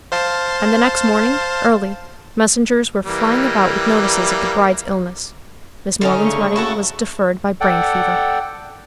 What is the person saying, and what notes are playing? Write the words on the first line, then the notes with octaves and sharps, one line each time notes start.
And the next morning, early, messengers were flying about with notices of the bride's illness.--Miss Moreland's wedding was deferred by brain fever.
C5 F5 A5
E3 G3 A#3
D3 C#4 D#4
C#3 A3 C#6
E4 F#4 A4
A4 D5 F#5 G5